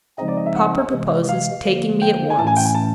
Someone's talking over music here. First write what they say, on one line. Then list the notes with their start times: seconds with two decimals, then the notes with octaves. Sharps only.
"Papa proposes taking me at once."
0.18 C#3 F3 G#3 C4 D#4 D#5
0.28 D5
0.37 D#5
0.46 E5
0.56 F#5
0.91 C3 E3 G#3
1.28 F5
1.65 D3 F3 A#3
2.02 G5
2.30 G#5
2.38 A2 E3 A3 C#4 A5
2.47 G#5
2.57 G5
2.65 G#5
2.75 A5